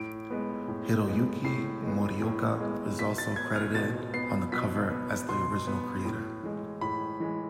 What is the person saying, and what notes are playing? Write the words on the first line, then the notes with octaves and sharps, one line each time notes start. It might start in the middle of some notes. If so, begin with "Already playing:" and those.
Hiroyuki Morioka is also credited on the cover as the original creator.
Already playing: A2 D7
G#3 B3
A2
G#3 B3
A2 C7
G#3 B3
A2
G#3 B3
B2 B6
A6
B3 G#6
F6
B2 A6
B3 C7
B2 B6
B3
B2 C6
B3
A2
E3 G#3
A2 B5
E3 G#3